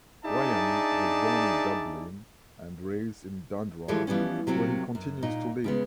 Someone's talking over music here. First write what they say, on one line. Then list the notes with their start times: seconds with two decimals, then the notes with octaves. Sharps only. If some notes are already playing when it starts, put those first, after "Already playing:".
Ryan was born in Dublin and raised in Dundrum where he continues to live.
0.25 D4 D#4 G#4 D5 E5 A5
3.88 E3 F3 G#3 A3 G4 C#5
4.07 E3 F3 G3 B3 C#4
4.47 C3 F#3 A#3 C4
4.95 F#2
5.23 A#2 D#4
5.64 C#3 G#3 B3